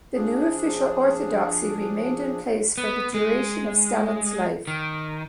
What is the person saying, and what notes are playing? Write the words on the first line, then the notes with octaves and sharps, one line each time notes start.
This new official orthodoxy remained in place for the duration of Stalin's life.
F3 D4 G#4
B3
G#3
D#3